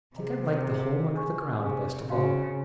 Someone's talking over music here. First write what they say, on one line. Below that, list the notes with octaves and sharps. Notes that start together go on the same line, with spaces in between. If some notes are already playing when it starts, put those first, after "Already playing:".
"I think I liked the home under the ground best of all."
C3 G#4 D#5 A#5
G#4 D#5 A#5
G#4 D#5 G#5 C#6
C3 G#4 D#5 G#5 C#6
C#3 F#4 C5 F5 C6